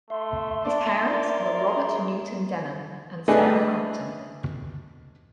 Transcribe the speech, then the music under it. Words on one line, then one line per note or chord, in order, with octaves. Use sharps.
His parents were Robert Newton Denham and Sarah Compton.
A3 E5 C6
D4 D5
A#4 D5
G#4
A3 D4 G#4 B4 D#5